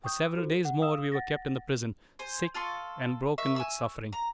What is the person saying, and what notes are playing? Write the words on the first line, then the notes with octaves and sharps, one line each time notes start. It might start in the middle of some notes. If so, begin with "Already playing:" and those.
For several days more we were kept in the prison, sick and broken with suffering.
G5 C#6 D#6 G6
F4 F#4 A4 A#4 C5
F#5
F5 D#6 E6 E7
F#5 A6 A#6
C5 G#5
F4 A4 C6 C#6
A#4 E5 C#6
G#5 C#6 E6
A#5